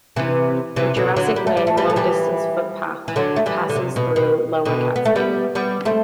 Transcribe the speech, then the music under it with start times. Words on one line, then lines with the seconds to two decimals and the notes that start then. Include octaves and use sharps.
The Jurassic Way long-distance footpath passes through Lower Catesby.
0.16 C3 E3
0.76 C3 E3
0.97 B2 D3
1.16 D3 F#3
1.36 G3
1.47 A3
1.57 G3
1.67 A3
1.77 E3 G3
1.90 A3
1.96 E3 G3
3.08 E3
3.16 D3 F#3
3.36 A3
3.46 E3 G3
3.69 D3
3.76 C3
3.96 B2
4.16 B2
4.65 B2 D3
4.96 B3
5.05 A3
5.16 G3 B3
5.55 G3 B3
5.85 A3 C4